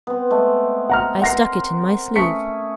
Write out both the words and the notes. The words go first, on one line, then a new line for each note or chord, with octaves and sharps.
'I stuck it in my sleeve.'
B3 C4
G#3 A3
F#5 A#5 F6
A#4 C5 F#5 A#6 C7
A3 C#4 G#4 C#6 B6 C#7